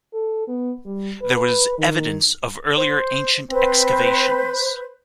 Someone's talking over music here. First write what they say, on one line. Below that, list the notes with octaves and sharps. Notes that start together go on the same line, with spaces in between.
There was evidence of earlier ancient excavations.
A4
B3
G3
B4
D#3
C5
C4 B4 C5